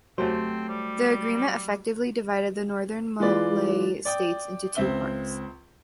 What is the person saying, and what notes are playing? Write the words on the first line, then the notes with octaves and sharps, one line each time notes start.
The agreement effectively divided the northern Malay states into two parts.
F#3 A3 C4 G4 C5
G3
E3 G#3 F4 B4 D5
D5 G5 D#6
C#2 C4 E5 G7